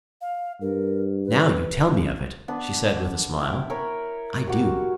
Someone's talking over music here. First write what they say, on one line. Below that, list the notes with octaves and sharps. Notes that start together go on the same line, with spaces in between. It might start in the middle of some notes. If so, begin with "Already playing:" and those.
"Now you tell me of it," she said with a smile, "I do."
F5
G2 A#4
B4
B3 D4 B4
E4 G5
A#4 C#5 B5
G3 F#4